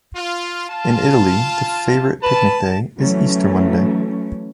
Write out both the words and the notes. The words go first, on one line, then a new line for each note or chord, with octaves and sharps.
In Italy, the favorite picnic day is Easter Monday.
F4
F4 A5
B4 A5
E3 F#3 A3 C#4